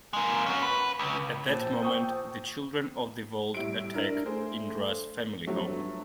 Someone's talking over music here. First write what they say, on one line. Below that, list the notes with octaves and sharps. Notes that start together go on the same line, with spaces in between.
At that moment, The Children of the Vault attack Indra's family home.
G#3 A#3
C#4 F#4
B4
C#2
A#1 C5 A5 A6
G5 C#6 D#6
A2 G3 E4 D7
D4 E4 A#4
A3 G#4 C5
G2 F3 F#3 A3